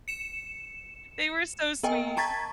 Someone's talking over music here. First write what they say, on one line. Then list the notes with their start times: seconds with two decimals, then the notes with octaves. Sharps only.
They were so sweet.
0.08 C#7 E7
1.83 B3 A#4 D#5 G5 G#5
2.17 A5 A#5 C#6 G#6 A6 B6